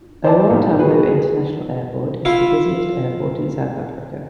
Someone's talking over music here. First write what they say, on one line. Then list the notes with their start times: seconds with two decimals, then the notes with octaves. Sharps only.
O. R. Tambo International Airport is the busiest airport in South Africa.
0.25 C5 D5 E5 A5
0.50 B1
0.79 F#4 G#4 B4
1.08 G#4
2.25 E4 F4